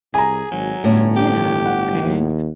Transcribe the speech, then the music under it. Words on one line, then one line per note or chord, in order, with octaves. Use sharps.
Yeah, okay,
C2 G#4 G#5 A#5
G#1 F#3
G1 A2 C#4
G4
F#5
D#2